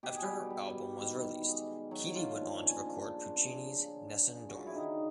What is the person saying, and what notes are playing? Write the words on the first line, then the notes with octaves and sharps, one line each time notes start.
After her album was released, Keedie went on to record Puccini's "Nessun Dorma".
B2 G4
G#4
G3 G4
G3
D#3
G#3
D#3 F#3 F#4
F3 F4
A#3 D4
C#4
C#3 D4
C#3
C#3
C#3
F#4
F4
E4
D3 D#3 D#4